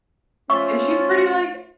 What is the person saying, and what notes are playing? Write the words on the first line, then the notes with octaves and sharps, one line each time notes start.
and she's pretty like
F3 A3 C#4 F4 E5 C#6